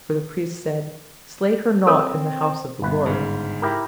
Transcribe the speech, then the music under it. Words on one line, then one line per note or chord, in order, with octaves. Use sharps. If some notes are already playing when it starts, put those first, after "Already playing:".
For the priest said, Slay her not in the house of the Lord.
C4 A4 A#4 C#5
G1 B4
G#2 C#3
E4 G4 A#4